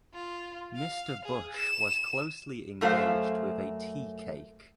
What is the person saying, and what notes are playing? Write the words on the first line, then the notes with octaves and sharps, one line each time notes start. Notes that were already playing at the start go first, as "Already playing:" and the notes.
Mr. Bush was closely engaged with a tea-cake.
F4
F5
G#4
E7
F#2 A3 F#4 C5 F5